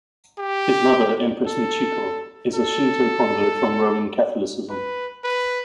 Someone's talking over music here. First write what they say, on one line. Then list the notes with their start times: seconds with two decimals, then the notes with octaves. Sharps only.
His mother, Empress Michiko, is a Shinto convert from Roman Catholicism.
0.39 G4
1.46 A4
2.54 A4
4.70 B4
5.24 B4